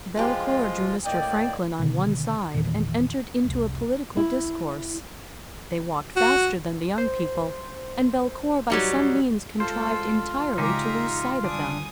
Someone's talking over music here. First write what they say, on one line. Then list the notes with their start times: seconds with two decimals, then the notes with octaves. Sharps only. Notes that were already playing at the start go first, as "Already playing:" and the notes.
Belcour drew Mr. Franklin on one side and entered into a political discourse: they walked faster than the young people, and Belcour by some means contrived entirely to lose sight of them.
0.16 F3 G#3 F4 G4 G#4 B4
1.05 A2 A#3 D5 D#5 G5
1.79 B2 D3 D#3
2.54 E2 A#2 D#3 E3
3.44 F1 C2
4.17 E4
6.16 F#4
6.98 C5
8.70 F#3 G3 D#4
9.60 G#3 F4 A4 C5
10.58 C#3 G#3 D#4 G4 G#4 E5 A#5 D6
11.44 D3 G3 D4 G#5 D#6